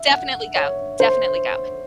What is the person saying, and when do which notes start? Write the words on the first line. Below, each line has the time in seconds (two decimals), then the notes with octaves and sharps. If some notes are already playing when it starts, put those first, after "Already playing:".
Definitely go. Definitely go.
Already playing: E5
0.11 F#5
0.56 C#5
1.00 C5